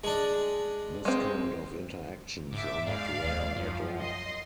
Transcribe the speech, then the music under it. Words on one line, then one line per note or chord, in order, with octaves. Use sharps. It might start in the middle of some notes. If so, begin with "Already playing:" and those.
This kind of interactions are not rare at all.
G#3 D4
G#3 C4
G#2 E5 D6
G#2 G#3 D5 F5
D#2
F#2 F3
D#5 C6